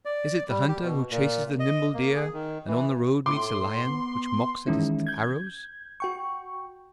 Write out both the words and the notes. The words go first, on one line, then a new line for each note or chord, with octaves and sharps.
Is it the hunter who chases the nimble deer and on the road meets a lion which mocks at his arrows?
D5
G3
G4
B2
A#2
D#5
A#3
G#4
D#3
E3
A2 C6 D6
B3
D#3 E3 G#3 C#4 E4
G6 G#6
F#4 G5 C#6